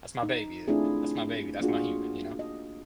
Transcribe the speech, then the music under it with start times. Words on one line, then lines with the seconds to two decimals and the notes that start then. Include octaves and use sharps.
that's my baby, that's my baby, that's my human, you know.
0.23 D#4
0.68 A3 C4 D4 E4 F4 G#4
1.61 A#3 D4 F4 F#4 G#4
2.39 D#5